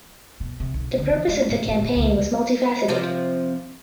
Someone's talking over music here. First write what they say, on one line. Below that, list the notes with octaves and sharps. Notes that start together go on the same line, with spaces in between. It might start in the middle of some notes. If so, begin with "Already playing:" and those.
The purpose of the campaign was multifaceted.
B2
C3
B1
D3
E3
G#3
A2
A2
A#2
C#2
C3 F3